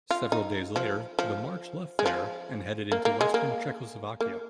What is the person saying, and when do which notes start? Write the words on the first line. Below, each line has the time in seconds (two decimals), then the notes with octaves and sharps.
Several days later the march left there and headed into western Czechoslovakia.
0.10 F4
0.32 D#4
0.76 F3
1.19 F3
1.99 G#3
2.06 F3
2.92 A#3
3.05 A#3
3.21 G#3
3.34 A#3
4.20 A#3